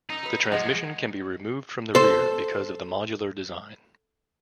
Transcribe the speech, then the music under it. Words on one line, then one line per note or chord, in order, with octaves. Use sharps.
The transmission can be removed from the rear because of the modular design.
F#2 D#4
F#3 B4
F3 G#3 G#4 D#5 F#5
A4 C5